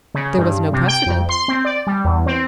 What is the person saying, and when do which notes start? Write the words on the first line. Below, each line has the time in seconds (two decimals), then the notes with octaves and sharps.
There was no precedent.
0.14 C#3
0.38 G2
0.72 C3
0.88 G5
1.06 F2
1.29 C6
1.48 C4
1.65 D5
1.87 G3
2.05 E2
2.26 C4